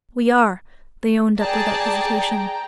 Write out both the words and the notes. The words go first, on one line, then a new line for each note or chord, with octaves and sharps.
"We are," they owned up without hesitation.
G#4 D5 G5 A5 A#5